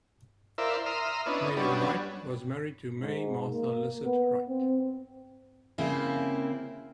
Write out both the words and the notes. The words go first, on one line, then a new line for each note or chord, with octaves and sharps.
Mayor Wright was married to May Martha Lycett Wright.
E4 A#4 C5 D5 E5 F5
E5 A#5 C6 D#6 F6
B3 C#4 D4 E4 D#5
F#3 G3 B3 C#4 D4
G#2
A#3
B3
C4
C#3 A#3 C4 E4